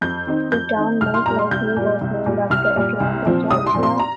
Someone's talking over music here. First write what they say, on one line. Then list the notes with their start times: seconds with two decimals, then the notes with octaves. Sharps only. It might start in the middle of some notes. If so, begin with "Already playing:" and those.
The town most likely was named after Atlanta, Georgia.
0.01 F2 G6
0.27 D#3 C4 D#4
0.52 F2 G6
0.76 D#3 C4 D#4
1.01 C2 F6
1.14 C6
1.26 A#2 G3 A#5
1.39 C6
1.51 C2 G6
1.76 A#2 G3
2.01 C2
2.26 A#2 G3
2.50 C2 F6
2.76 A#2 G3
3.00 C2
3.25 A#2 F3 C4
3.50 C2 D#6
3.67 C6
3.74 A#2 F3 C4
3.83 C6
3.99 A#5